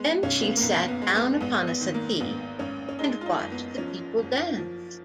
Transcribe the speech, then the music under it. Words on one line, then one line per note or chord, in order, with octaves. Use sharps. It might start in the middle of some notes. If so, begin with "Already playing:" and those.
Then she sat down upon a settee and watched the people dance.
Already playing: G#3 B3
B1 C#4
B3
A#3
B1 B3
B3
G#3
B3
G#1 B3
B3
D#3
A#3
G#1 B3
G#1 C#4
C#4
G#3 D#4
F4
D#4
F#1
B3
F3 C#4
F#1
F3